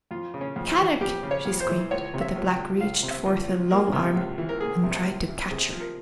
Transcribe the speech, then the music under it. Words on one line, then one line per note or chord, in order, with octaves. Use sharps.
"Kadok!" she screamed, but the Black reached forth a long arm and tried to catch her.
F2 F4
C#3
C#4
F2
E3
F2 G4
C#3
C#5
F2
C5
E3
C#2 C#5
C3
E5
C#2
G5
F3
C#2 F5
C3
E5
C#2
F3
A#3 A#4
C3
C#2
E3
A#4
A#3 G#4
C3
C#2
E3
C3 G#4
F3
A#4